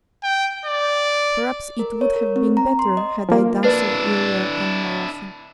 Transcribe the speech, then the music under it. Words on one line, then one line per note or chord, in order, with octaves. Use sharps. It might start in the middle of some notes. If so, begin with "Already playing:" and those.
Perhaps it would have been better had I done so earlier and more often.
G5
D5
A#4
C#5
A#4
C4
A#5
C6
D#5
F3 A#3
D4 E4 B4 D5